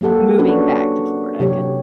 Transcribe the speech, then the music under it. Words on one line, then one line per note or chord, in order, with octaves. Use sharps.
moving back to Florida 'cause
F#3 A#3 G4 A4 F#5
C#4 D4 F#4 A4 B4
C3 F#3 G4 C#5